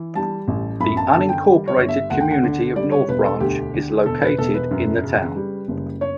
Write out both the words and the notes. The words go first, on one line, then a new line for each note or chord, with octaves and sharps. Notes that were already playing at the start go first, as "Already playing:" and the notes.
The unincorporated community of North Branch is located in the town.
Already playing: E3
G3 A5
A1
F#2 B5
A5
D3 A5
G5
G3
C#5
G1
E5
D2 F#5
G5
F#5
D3
G3 D5
C#5
E1 B4
A4
D2 G4
D3
E1 A4
B4
E1 A4
B4
F#2
C#3
G3
F#1
C#5